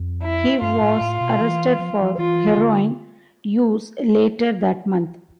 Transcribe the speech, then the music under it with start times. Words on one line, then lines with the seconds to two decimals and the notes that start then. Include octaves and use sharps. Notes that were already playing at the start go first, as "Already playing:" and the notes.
He was arrested for heroin use later that month.
Already playing: F2
0.22 E4
0.61 G2 F4
0.81 A2
1.01 A2
1.21 B2
1.40 E3
1.79 F3
2.01 F3
2.17 E3 F4
2.57 D3